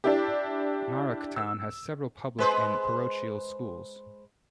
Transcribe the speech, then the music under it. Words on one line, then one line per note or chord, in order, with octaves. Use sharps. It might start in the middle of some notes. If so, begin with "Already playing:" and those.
Narok Town has several public and parochial schools.
D4 E4 G4
E6
G#3 B4 C5